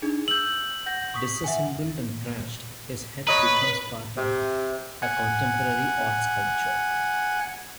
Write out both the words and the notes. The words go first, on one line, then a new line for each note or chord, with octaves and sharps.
Disassembled and trashed, his head becomes part of a contemporary art sculpture.
D4 D#4 G#4
E6 G6 F#7
F#5 G6 A#6
C#6 D#6 B6
E5 F#5 G#5
B4 C#5 D#5 A#5
C3
F#5 G#5